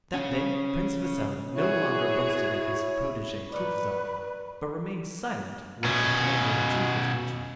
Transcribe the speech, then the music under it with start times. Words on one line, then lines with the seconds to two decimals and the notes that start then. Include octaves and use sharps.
That day Prince Vasili no longer boasted of his protege Kutuzov, but remained silent when the commander-in-chief was mentioned.
0.14 C#3 C#4
1.56 E4 F#4 G#4 C#5
3.52 D#3 B4 D5
5.85 B2 C#4